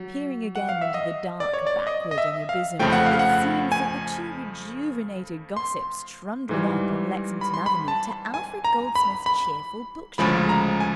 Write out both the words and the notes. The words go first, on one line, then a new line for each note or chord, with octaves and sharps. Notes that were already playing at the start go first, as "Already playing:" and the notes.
Peering again into the dark backward and abysm, it seems that the two rejuvenated gossips trundled up on Lexington Avenue to Alfred Goldsmith's cheerful bookshop.
Already playing: F#3
F#5
F5
E5
D#5
D5
C#5
D5
D#5
D#5
E5
F5
F2 C#3 F3 A3 G5
F#5
F5
F#5
G#5
C6
G#2 E3 G3
B5
C6
B5
A5
G#5
A#5
B5
B5
D2 C#3 F3 G#3 B5
A#5
G#5